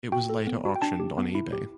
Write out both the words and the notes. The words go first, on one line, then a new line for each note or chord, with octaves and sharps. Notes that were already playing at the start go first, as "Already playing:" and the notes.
It was later auctioned on eBay.
F#4 G5
A4
B3
F#4
G5
D4 A5
G4
B3
E4
G4